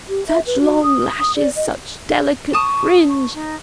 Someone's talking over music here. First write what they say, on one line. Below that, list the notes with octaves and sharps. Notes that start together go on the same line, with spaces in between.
Such long lashes, such delicate fringe!
G4
E5
B4
F#4
D#6
D5
D#5
A5 C#6 D#6
C#6
D#4